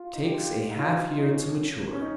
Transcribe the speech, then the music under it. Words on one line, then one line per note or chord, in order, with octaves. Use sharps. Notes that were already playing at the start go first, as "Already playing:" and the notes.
Takes a half year to mature.
Already playing: F4
D#4
G4
F4
G4
F4
D#4
F4
F4
F4
D#4
C#4
C#4
D#4